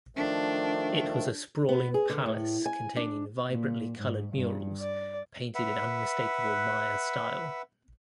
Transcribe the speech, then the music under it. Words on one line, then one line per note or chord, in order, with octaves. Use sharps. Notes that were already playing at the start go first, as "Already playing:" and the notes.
It was a sprawling palace containing vibrantly colored murals painted in unmistakable Maya style.
D#3 F3 A3 D4
B3
G#4
D3
A2
G#5
D4
A#2
G#2
G2
D5
B4 E5 F#5